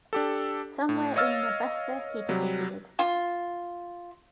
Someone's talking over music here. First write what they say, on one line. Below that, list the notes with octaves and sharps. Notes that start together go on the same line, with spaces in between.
Somewhere in Nebraska he disappeared.
D4 G4 A4
A2
C#5 D#5 F5 E6 F6 A6
C3 F#3 G3
F4